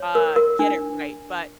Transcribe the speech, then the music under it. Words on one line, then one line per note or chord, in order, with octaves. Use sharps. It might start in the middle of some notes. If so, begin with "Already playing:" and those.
uh, get it right, but,
Already playing: C#5
A#4
A#4
D4